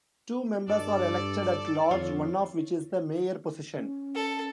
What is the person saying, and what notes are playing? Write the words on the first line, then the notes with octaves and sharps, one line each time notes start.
Two members are elected at large, one of which is the mayor position.
G2 A4 D5
F2 F4 C#5
C#4
A4